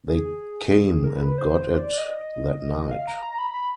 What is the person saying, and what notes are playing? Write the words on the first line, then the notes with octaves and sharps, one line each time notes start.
They came and got it that night.
G#4
A#4
B4
B4
C5
C5
D5
D#5
F5
A#5
A#5
B5
B5